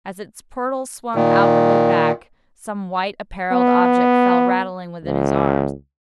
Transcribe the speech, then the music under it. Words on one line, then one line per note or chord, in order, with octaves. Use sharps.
As its portals swung outwardly back, some white-apparelled object fell rattling within his arms.
A#2 D#3
B3
C#2